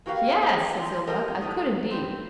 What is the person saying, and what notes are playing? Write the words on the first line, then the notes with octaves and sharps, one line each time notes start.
"Yes," says Ill-Luck, "I could indeed."
A#3 F#4 G4 A#4 B4 F5
G#4 C5 F#5 A#5
C4 F4
C4 G4 A4 A#4 D#5
A2 A3 D#4
C4 G4 B4